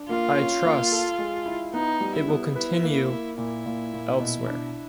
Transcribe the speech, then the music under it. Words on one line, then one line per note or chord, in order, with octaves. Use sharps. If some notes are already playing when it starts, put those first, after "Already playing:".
I trust it will continue elsewhere.
Already playing: D4
A#3 F4
C#4
A#3
A4
G#3
E4
B3 D#4
G3
E4
B3
E4 B4
A#3
A#3
A#2 E4
A#2
A#2
B2
D4